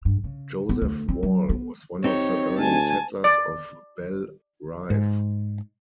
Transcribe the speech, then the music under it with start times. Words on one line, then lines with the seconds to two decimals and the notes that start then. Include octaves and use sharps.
Joseph Wall was one of the early settlers of Belle Rive.
0.05 G2
0.24 C#3
0.69 B3
0.82 D2
1.09 C4
1.23 F#3
1.49 B3
2.04 C4 D#4 G4 C#5
2.58 D2 G#5 A5
3.24 D5
4.90 G#2